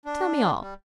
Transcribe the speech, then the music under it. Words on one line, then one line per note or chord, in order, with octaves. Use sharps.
Tell me all.'
D4
G3